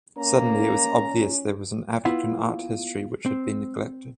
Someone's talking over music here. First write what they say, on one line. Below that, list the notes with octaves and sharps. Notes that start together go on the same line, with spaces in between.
Suddenly it was obvious there was an African art history which had been neglected.
A#3 C#4 A#5
B3 E4 F4 F#5
C4